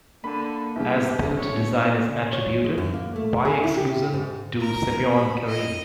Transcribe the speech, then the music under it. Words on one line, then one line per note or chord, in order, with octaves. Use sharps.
As-built design is attributed, by exclusion, to Semyon Karin.
D3 A#3 D4 B5
C2 C#3 B3 G4
G2 B3 C#5
C#3
C#5
G#3
F#2
A#3
A3
G#4
E4
G4
G#2
A#4
B5
D#5